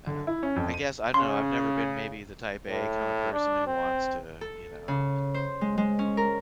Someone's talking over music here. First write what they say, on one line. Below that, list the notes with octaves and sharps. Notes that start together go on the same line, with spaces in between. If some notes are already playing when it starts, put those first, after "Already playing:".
Um, I guess, I don't know, I've never been maybe the type A kinda person who wants to, you know,
D3
E4
C#4
F2
D#7
C#3 C#4 C6
A2
D4
C4
A4
C#3
C5
G#3
G#3
C#4
A#4